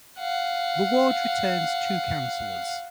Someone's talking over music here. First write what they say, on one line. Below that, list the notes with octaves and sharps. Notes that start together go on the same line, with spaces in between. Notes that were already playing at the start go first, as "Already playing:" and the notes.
The ward returns two councillors.
F5 F#5